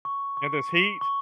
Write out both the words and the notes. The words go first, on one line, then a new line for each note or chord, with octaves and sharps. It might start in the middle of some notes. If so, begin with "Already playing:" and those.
In this heat?
C#6
C#6
C#6
C#6